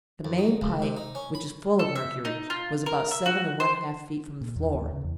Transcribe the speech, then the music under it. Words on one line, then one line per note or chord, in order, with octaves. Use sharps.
The main pipe, which was full of mercury, was about seven and one-half feet from the floor.
F2
D#4
C#2
C3
D#4
C#4
B5
A4
E5
D#4
F4
A#4
E5
F#4
C5
A#2
E2
D#2
C#3
E2